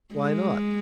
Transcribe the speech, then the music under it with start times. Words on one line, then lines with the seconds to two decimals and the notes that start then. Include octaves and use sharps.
"Why not?"
0.15 G#3